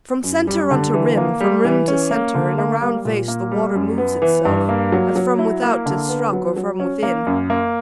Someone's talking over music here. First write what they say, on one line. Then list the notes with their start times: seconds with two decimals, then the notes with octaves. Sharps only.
From centre unto rim, from rim to centre, In a round vase the water moves itself, As from without 'tis struck or from within.
0.24 F#2
0.47 G3
0.71 D3
0.94 E3
1.17 A#3
1.41 G3
1.65 E3
1.88 C#4
2.11 A#3
2.35 D3
2.58 A#3
2.81 G3
3.05 A#2
3.28 A#3
3.51 G3
3.75 F#2
3.98 B3
4.22 E3
4.45 G2
4.69 A#3
4.92 F#3
5.16 F#3
5.38 E4
5.62 A#3
5.86 D3
6.09 B3
6.33 F#3
6.56 F#3
6.80 C#4
7.03 A#3
7.27 F#2
7.50 A#3